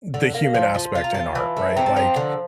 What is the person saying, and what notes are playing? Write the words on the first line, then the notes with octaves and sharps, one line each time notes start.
the human aspect in art, right? Like,
D3
A#3
F3
F3
F4 A5
A#5
F4 A5
E3
A3
C4 A#5
A5
F3 A#5
D3